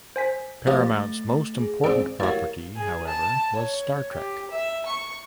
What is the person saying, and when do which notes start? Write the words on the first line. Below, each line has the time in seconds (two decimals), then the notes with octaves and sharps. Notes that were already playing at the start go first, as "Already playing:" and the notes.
Paramount's most important property, however, was "Star Trek".
0.16 C5 G#5 B6
0.67 F3 A3 G4 D#5 A6 A#6
1.58 G#4
1.84 G#2 C4 C#4 D5 D7
2.20 A2 F#4 G4 A#4 C#5 F5 A6
2.76 G#4
3.07 A5
3.56 C#5
4.12 G4
4.51 E5
4.86 C#6